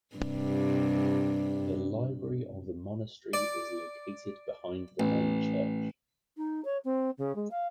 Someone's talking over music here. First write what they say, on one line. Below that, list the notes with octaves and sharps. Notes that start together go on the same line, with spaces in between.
The library of the monastery is located behind the main church.
G2 C3
D5
A1
D#4
C#5
C4
C#3
G#3
F5